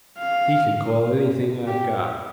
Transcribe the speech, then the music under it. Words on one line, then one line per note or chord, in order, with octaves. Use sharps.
He can call anything I've got.
F5
G4